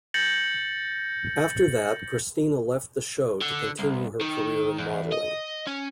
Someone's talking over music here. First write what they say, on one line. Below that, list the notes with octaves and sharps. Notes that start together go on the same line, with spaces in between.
After that, Christina left the show to continue her career in modeling.
G6 A6 A#6 C#7 F#7
D3
C2
D#3
E2
D#5
C#4